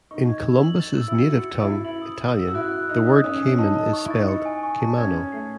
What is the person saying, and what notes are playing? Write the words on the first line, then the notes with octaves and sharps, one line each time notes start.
In Columbus' native tongue, Italian, the word cayman is spelled caimano.
D#4 C#6
G#6
E6
F#7
A6
E6
E4
F#4 C#7
C#7
F#4 A6
E4
C7
E4
E4 F#7
D#6
A6
E6
F#4
E4 F#6
F#6
D#4 D#6
D#6
C#4 D#6
D#6
D#4 A5
A5
C#6
E4
A6
D#4
C#7
G#5
C#6
A5
C#4 G#6
G#6
A3 C7